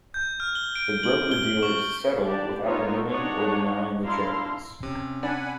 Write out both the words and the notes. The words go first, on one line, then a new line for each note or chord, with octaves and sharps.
The broker-dealers settled without admitting or denying the charges.
G6
F6
G7
D7
F#7
G7
C#6
D4 G4 D5 A5
B3 D#4 F4 A4 A#4 C#5
D4 D#4 C#5 F#5
D4 E4 F5 A#5 C6
C3 C#4
D4 F#5 G#5 B5